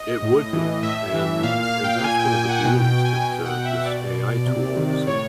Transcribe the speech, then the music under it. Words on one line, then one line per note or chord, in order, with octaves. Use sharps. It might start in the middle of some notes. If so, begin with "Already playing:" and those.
It would be, and and that's one of the beauties that, uh, this AI tool is
Already playing: D#5
A2
E3
A2 E5
E3
A#2 F5
F5
G5
A#2 G#5
G5
G5
F#5
B2 G5
G5
G#5
B2 G5
F#5
E5
B2 D5
C3
D#3
A2 C#5